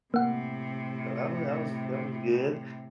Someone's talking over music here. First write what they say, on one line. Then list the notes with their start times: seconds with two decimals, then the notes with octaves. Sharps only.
so that wa that was that was good,
0.14 A2 C3 A#3 F#5